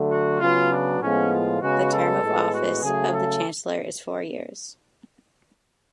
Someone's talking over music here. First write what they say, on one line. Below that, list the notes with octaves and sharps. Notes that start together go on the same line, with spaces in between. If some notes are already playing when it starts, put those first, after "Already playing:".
The term of office of the Chancellor is four years.
Already playing: D3 F#3 A3
F#4
C#3 F#3 B3 F4
D4
A2 F3 G#3 B3 C#4
F4
C#3 G#3 B3 F#4
A4
A2 G#3 B3
F#4
C#3 F#3 A3 G#4
A4